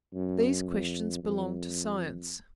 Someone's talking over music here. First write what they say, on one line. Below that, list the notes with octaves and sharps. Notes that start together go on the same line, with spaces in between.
These questions belong to Science.
F#2
F2
F2